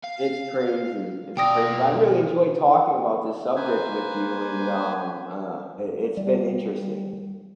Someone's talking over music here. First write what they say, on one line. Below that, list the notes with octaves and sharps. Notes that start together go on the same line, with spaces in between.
it's crazy, it's craz but I really enjoyed talking about this subject with you, and, um, uh, i it's been interesting.
F5
B2 D5 G5 D#6 A#6
A#3 B4 C5 G#5
G3